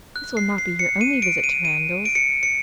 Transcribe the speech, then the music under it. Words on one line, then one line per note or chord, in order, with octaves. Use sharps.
"This will not be your only visit to Randalls."
F#6
C7
C7
C#7
D#7
D7
D#7
D#7
D7
C#7
C#7